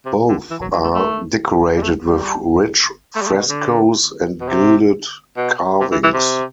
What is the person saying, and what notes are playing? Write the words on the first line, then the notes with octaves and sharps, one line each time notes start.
Both are decorated with rich frescoes and gilded carvings.
C3
D3
E3
F#3
F#3
A3
A3
G3
A3
G3
A3
G3
A3
C3
B2
D3
B2
C3
B2
C3
E3
E3
C3